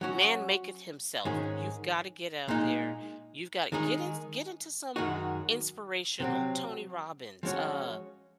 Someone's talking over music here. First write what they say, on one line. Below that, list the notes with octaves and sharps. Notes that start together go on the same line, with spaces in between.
man maketh himself. You've gotta get out there. You've gotta get in get into some inspirational Tony Robbins. Uh,
F#3 C#4 F#4
G#2 D#3 G#3 C#4 G#4
A#2 G#3 D#4
D#3 G#3 D#4 G#4
F#2 D#3 G#3 D#4 F#4
C3 F#3 C4
F3 G#3 C#4 F#4 C#5